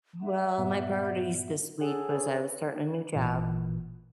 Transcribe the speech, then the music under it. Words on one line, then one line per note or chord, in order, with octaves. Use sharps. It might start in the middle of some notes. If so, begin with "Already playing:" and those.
Well, my priorities this week was, I was starting a new job,
E5 F#5
G2 A#2 B3
G#4 A4 C#5 F#5
B4 C#5
G#1 A#2 E3